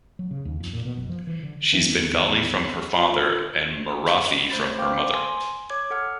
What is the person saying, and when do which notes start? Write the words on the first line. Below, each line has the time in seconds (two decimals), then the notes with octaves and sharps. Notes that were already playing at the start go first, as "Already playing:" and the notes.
She's Bengali from her father and Marathi from her mother.
0.19 F#3
0.31 C#3
0.45 D#2
0.60 F2
0.73 A#2
0.85 B2
0.97 F#1
1.09 F3
1.27 E3
1.43 D3
1.72 E2 G2 D#3 E3
2.96 F4
4.50 A3 C5 B5 A6
4.78 C5 F5 G5 D6
5.13 G#5 C6
5.70 C#5 D6 G#6
5.90 A4 F#5 F6